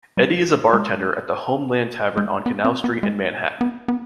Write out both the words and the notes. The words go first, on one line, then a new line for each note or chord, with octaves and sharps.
Eddie is a bartender at the Homeland Tavern on Canal Street in Manhattan.
G3
G#3
G#3
B3
C4
B3
G#3
B3
B3